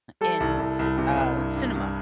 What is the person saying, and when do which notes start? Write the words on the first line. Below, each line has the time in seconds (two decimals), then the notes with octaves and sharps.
in ci uh, cinema,
0.21 G3 A4
0.40 C2
0.59 C2
0.79 C2
0.98 C3
1.17 C2
1.37 G2
1.56 G2
1.76 G2